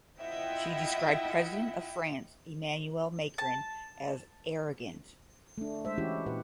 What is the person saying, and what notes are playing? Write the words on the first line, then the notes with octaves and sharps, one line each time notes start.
She described President of France Emmanuel Macron as "arrogant".
E4 F4 D#5 E5 F#5 G5
A5
A3 D4
G#3 C5 E5
E3 C#4 E4 F#4 G4
A#2 G4 B4 F#5